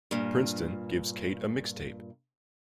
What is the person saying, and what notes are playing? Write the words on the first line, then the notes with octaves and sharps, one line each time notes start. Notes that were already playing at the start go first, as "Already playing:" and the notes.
Princeton gives Kate a mixtape.
G2 A#2